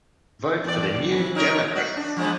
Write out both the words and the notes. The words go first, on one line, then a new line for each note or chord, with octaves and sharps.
Vote for the New Democrats!
E2 D5
C3
D#4 A#4 C#5
F#4
D4
F3 G#3 B3